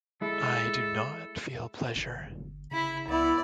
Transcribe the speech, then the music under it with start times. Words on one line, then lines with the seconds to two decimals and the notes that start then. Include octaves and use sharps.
I do not feel pleasure.
0.22 G#3 E4 A4
1.96 G1
2.71 C#3 E4 B5
3.08 C#2 B3 E4 D5